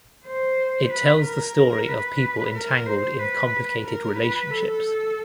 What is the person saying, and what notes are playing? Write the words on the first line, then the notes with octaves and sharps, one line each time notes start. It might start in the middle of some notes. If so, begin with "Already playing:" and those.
It tells the story of people entangled in complicated relationships.
C5
B4
A#4
A#4
B4
A#4
C5
B4
A#4
B4
A4